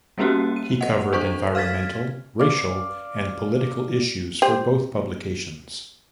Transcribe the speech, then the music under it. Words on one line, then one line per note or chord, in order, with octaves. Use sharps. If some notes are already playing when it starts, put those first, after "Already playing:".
He covered environmental, racial, and political issues for both publications.
G3 A#3 B3 C#4 F#4 G4
D#7
D#5 F#5
D4 A4 C5 C#6
F5 F6 G#6 A6 B6
D5 F5
G4 C5 G5